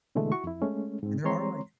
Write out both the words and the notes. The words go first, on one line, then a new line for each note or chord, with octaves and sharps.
and there are, like
B2 D3 E3 G#3 A3
E4 F#4 C#6
F2 E4
G#3 A3 C#4
G#2 C4
E3 G#3 C4 C#5 A#5 C6